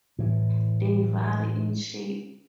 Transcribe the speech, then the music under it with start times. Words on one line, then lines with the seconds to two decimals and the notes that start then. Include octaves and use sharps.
They vary in shape.
0.19 A2 E3